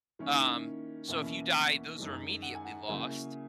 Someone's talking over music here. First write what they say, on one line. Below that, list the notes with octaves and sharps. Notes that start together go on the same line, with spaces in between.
Um, so, if you die, those are immediately lost.
D#3 A#3 C#4 E4
E2 B2 A#3 C#4 E4
F#2 D#3 G#3
F#5
G#5
F#5
C#3 F#3 A#3 E4 G#5